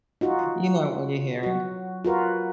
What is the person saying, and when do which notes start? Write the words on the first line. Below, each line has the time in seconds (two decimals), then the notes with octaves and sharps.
You know it when you hear it.
0.21 D#4 F4 F#4
1.43 F#3 F#4
2.05 F4 F#4 A#4 B4